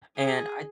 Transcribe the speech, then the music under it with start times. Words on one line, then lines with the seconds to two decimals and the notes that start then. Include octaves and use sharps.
and I
0.16 G#4